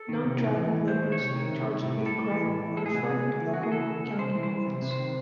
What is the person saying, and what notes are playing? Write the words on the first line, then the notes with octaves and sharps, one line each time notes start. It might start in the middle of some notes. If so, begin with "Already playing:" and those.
Non tribal members charged with a crime are referred to local county courts.
Already playing: A4
D#3
C3
A2
E3
E3
F#3 C5
D#3
C#5
C3
D#3
C3
C3
A2
A2
A4
A2
E3
A2
E3
E3 A4
G#4
C3 F#4
G#4
C3
C#3
E3
E3 F#4
G#4
E3 A4
C#3
C#3
C3 C5
E3
C5
E3
C3
C3
C5
D#3